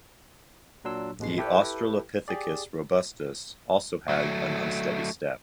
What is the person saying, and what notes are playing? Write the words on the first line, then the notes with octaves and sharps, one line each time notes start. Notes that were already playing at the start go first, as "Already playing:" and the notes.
The Australopithecus Robustus also had an unsteady step.
A#2 F#3 D4 C6 E6
A1 B2 G#3 C7
E4 G4 A4 B4 G5
G4 G#4 D5
F#3 A3